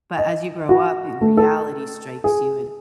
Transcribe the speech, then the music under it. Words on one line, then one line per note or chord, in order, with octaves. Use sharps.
But as you grow up, y reality strikes you, and
D#5
F#4
A3
A4
G#4